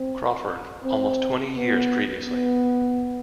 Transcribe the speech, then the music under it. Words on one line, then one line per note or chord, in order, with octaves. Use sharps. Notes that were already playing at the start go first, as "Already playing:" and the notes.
Crawford almost twenty years previously.
Already playing: C4
C4
B3
B3